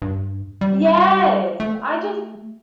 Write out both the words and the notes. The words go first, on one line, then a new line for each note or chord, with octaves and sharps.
Yes! I just
G2
G3
A3